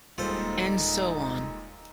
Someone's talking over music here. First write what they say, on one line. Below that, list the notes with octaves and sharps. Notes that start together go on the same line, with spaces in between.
And so on.
D#1 A#2 G3 G#3 D#4 F4 A4 C5